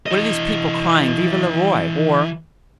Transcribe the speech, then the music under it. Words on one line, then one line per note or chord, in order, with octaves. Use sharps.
What are these people crying 'Vive le Roi!' for?
E3 D#5